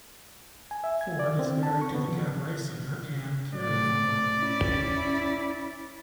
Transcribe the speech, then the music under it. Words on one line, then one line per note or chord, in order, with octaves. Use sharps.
Ford is married to the cabaret singer Anne Kerry Ford.
G#5
E5
G#6
D5
C4
A5
C#6
B3
F3
A2 C3 D5
C#4 E4